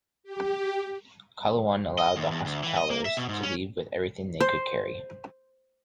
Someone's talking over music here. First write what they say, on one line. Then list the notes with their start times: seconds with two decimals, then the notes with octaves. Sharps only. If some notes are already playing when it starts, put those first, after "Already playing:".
Qalawun allowed the Hospitallers to leave with everything they could carry.
0.24 G4
1.98 D#5
2.17 D#2
2.31 E2
2.46 D2
2.64 E3
2.77 D#5
2.90 A#3
3.05 E5
3.17 B2
3.29 G#2
3.43 C#4
4.40 C5